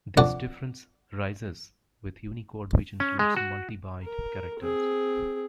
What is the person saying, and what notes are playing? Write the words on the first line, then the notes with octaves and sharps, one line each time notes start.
This difference arises with Unicode which includes multi-byte characters.
F2 D4 F#5
C#4
G#3
F#4
A#4
C4 G#4